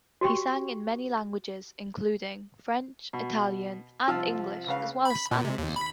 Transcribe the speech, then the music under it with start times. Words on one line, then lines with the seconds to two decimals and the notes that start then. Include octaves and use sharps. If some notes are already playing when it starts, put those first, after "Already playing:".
He sang in many languages, including French, Italian and English, as well as Spanish.
0.21 F#4 G4 G5 C#6
3.13 B2
4.08 C2 F3 F4 A5 E6 F6
4.67 C#2 C#3 B4 F5
5.05 B5
5.31 A#2
5.44 C3
5.58 D#2
5.76 B5